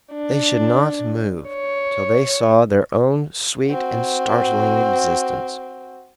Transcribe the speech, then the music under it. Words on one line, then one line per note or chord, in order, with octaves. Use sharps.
They should not move till they saw their own sweet and startling existence.
D4
C#5
C4 F#4